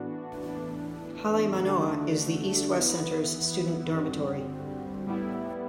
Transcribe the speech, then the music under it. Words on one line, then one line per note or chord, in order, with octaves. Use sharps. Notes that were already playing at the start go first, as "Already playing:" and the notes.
Hale Manoa is the East-West Center's student dormitory.
Already playing: A2 E3 B3 D4 F#4
A2 E3 B3 D4
D3 A3 D4 F#4
E3 B3 E4
G2 D3 G3 C4 F#4
A2 G3 B3 E4